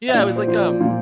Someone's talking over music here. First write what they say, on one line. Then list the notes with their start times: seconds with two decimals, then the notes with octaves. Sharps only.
Yeah, it was like, um,
0.08 E5
0.14 A#2 D5
0.36 C5
0.47 F3 C5
0.59 D5
0.81 A#2